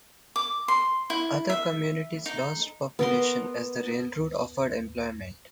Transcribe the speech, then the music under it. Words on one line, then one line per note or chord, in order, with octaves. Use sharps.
Other communities lost population as the railroad offered employment.
D6
C6
E4
E5
D#4
B3 A#4 C6